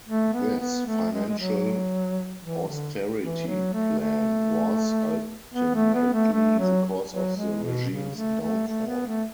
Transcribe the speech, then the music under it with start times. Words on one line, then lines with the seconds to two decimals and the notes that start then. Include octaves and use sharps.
This financial austerity plan was, ultimately the cause of the regime's downfall.
0.07 A3
0.33 B3
0.60 B3
0.87 A3
1.13 G#3
1.28 G#3
1.39 F#3
2.42 E3
2.68 D3
3.20 E3
3.47 F#3
3.73 A3
3.98 A3
5.54 B3
5.75 A3
5.95 B3
6.13 A3
6.33 A3
6.59 F#3
7.12 F#3
7.37 G#3
7.63 B2
7.90 C#3
8.16 A3
8.41 A3
8.67 A3
8.87 B3
9.06 A3